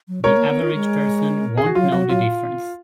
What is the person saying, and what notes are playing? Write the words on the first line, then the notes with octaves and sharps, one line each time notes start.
The average person won't know the difference.
F#3
G#3 A#4 C#5
A#3
B3
F4
G#3
G#4
F#4
F#3 F4
F#3 F#4
F#3 F4